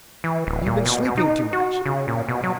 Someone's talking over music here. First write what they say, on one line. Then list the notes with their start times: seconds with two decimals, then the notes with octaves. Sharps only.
You've been sleeping too much.
0.24 E3
0.47 D1
0.66 A#2
0.86 B2
1.05 B2
1.17 D#4
1.53 F#4
1.86 C#3
2.08 A#2
2.29 B2
2.43 F#3